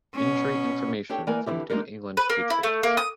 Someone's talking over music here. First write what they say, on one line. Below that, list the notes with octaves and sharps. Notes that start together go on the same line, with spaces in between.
Injury information from New England Patriots.
B2 C#4
D4 G4 A4 C#5 G5
E3 A#3 A#4 D5 G#5
D3 E3 E4 G4
G#3 A#3 D4 D#4 A#4
B4
A#3
E4
A3
A#3
D#6